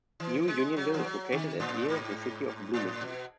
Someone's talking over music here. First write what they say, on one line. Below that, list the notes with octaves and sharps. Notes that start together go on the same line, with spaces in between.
New Unionville is located at near the city of Bloomington.
E3
G#3
F#3
E3
F#3
D#3
A2
G#2
A2
B2